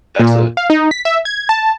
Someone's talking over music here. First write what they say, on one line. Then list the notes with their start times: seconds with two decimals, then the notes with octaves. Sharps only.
That's a
0.19 A#2
0.57 F5
0.70 D#4
0.91 B6
1.05 E5
1.25 G#6
1.49 A5